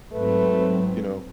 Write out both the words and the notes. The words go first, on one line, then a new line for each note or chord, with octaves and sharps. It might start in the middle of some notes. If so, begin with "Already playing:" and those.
you know,
G#2 F#3 A3 C4 B4